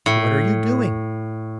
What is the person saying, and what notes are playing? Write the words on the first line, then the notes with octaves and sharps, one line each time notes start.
What are you doing?'
A2